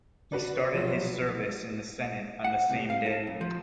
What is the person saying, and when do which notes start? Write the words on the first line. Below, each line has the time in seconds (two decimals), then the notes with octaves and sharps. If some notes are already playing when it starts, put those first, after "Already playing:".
He started his service in the Senate on the same day.
0.32 F#4 B4 D5
0.74 F3 F#3
2.44 F#5
2.69 C2
2.90 F5
3.06 A4
3.27 F#2
3.41 F3